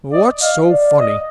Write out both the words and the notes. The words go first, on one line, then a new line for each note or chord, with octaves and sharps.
What's so funny?
D5 D#5
D#5 F5
D5
D#5